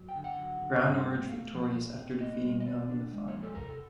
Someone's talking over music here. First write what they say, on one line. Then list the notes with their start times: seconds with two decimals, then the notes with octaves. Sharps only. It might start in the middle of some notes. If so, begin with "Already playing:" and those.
Brown emerged victorious after defeating Young in the final.
Already playing: F#3
0.09 G5
0.15 D3
0.24 F#5
0.39 F#3
0.61 D3
0.85 G2
1.07 A3
1.29 A3 F5
1.53 F3
1.75 A#2
1.99 C4
2.21 A#3 D#5
2.45 G3
2.60 D#5
2.66 D#3 D5
2.90 D4
3.13 G#3
3.28 C#5
3.35 F3
3.43 A4
3.55 C3 A#4
3.69 A4